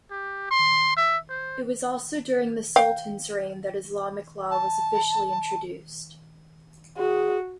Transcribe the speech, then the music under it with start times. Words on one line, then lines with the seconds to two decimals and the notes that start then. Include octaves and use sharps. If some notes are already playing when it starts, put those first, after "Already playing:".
It was also during the Sultan's reign that Islamic Law was officially introduced.
0.10 G4
0.51 C6
0.97 E5
1.30 C5
2.76 F5 G5
4.51 A5
6.97 F#4 G#4